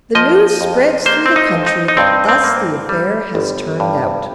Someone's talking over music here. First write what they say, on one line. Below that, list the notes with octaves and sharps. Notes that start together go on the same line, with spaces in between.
The news spreads through the country that thus the affair has turned out.
F3 D#5
F2
A#3 C5
C4
D#4
F2
D#4
D#4
G2 C4
C4
A#3
G3
G1
G2